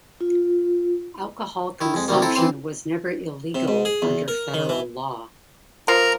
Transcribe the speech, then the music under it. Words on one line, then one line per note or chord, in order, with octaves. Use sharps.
Alcohol consumption was never illegal under federal law.
F4
D#3 E4
F2 G#3
D2 C3 D#3 G3 A#3
C4 E4 A4 G5 A#5
E3 C4 C6
C3
G#2
G#4
E2
A#4
D#3
E3
F3 A#4 A#5